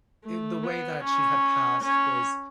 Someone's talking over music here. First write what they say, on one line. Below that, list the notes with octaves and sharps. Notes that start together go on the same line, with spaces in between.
it the way that she had passed was
A3
B3
C#4
C#4